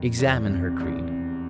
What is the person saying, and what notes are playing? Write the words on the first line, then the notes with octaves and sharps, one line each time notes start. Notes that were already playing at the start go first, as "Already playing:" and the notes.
Examine her creed.
Already playing: F2
E2
C3
E2
C3